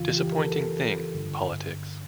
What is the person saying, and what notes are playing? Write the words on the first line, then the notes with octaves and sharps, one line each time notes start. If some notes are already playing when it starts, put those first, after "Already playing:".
Disappointing thing, politics.
Already playing: F2 C#3 E3 F4
G4
A#4
A4
G2 D3